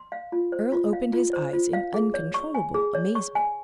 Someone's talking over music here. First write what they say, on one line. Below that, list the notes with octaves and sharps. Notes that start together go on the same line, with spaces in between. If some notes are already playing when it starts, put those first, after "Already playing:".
Earle opened his eyes in uncontrollable amazement.
Already playing: C6
F5
F4
C5
F4
F5
F4
C5
F4
F5
G#4
C#5
C#6
G#5
G#4
C#5
C#6
G#5